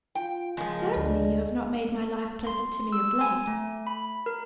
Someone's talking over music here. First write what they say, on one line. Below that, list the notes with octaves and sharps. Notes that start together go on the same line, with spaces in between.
Certainly you have not made my life pleasant to me of late.
F4 G5
C#3 F3 G#3 A#3
D2 D4
C6
E6
G#5
A3
B5
A#4